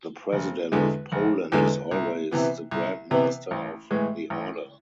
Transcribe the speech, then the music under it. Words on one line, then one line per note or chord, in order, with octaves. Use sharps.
The President of Poland is always the Grand Master of the Order.
F1
E2 D3 G#3
F1
E2 D3 G#3
C2
C3 E3 B3
C2
C3 E3 B3
A1
A2 E3 G#3
A1